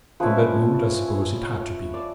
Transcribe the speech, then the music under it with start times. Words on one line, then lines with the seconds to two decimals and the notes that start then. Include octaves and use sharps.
From that moment, I suppose, it had to be.
0.20 F3 G#3 C#4 E4 B4
1.07 C#5
1.51 C#5
1.94 D5